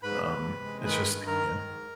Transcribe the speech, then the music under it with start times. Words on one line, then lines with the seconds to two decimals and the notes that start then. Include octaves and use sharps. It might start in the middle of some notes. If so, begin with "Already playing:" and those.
um, and it's just i Yeah.
0.03 G#2 B4 B5
0.23 G#2
0.43 C3
0.64 G#3
0.85 D#3 B4 B5
1.06 G2
1.27 D#3 A#4 A#5
1.48 D#3
1.68 G#2